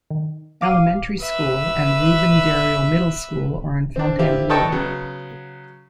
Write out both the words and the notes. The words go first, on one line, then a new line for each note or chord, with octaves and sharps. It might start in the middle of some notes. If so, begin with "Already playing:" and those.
Elementary School, and Ruben Dario Middle School are in Fontainebleau.
D#3
F5 D6 D#7
B4 E5
C4 D4
C4 E4 F4 G4
A4 B4 C#5 D#5 G5 A5
C#3 F#3 B3